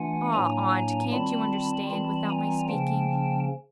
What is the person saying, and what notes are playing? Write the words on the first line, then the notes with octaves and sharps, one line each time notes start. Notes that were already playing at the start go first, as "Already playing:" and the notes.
"Ah, aunt; can't you understand, without my speaking?"
Already playing: E3 A3 D4 F4 F#5 G#5
A2 F#3 A#3 D4 G#5 A#5
D#3 G3 C4 F4 A5 B5
E3 G3 C4 F4 A5 B5
G#5 A#5
C#3 F3 A#3 C#4 G5 A5